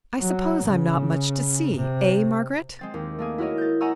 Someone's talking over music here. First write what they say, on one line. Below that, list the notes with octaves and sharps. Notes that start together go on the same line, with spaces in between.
I suppose I am not much to "see," eh, Margaret?'
F#3
C#3
C3
G#3 C4 A6
D#2
A3 A#3 G#4
E4 F#4 A#4 C#5 D#5
G6 A6
D#5 F#5 G#5 A#5 C#6 E6